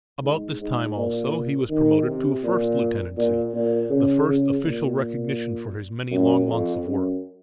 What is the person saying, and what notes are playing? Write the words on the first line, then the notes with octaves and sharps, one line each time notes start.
About this time, also, he was promoted to a first lieutenancy, the first official recognition for his many long months of work.
G#2
G#2
A#2
D#3
C3
A#2
A#2
A#2
C#3
C#3
A#2
F#2
F2
F#2